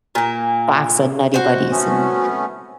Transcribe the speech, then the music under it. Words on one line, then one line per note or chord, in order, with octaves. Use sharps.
box of Nutty Buddys and
A#2 A#3
F#4 C5
A3 B3 C#4